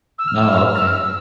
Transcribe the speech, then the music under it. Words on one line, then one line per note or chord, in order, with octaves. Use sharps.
Oh, okay.
E6
F6
E6
F6
E6
F6
E6
F6
E6